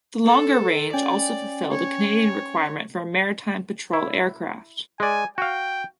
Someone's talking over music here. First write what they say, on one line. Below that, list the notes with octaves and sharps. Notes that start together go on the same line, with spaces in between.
The longer range also fulfilled a Canadian requirement for a maritime patrol aircraft.
A4
C#4 D5 G5 G#5
C#5
E4
G#3 D5 G#5
F#4 F5 G5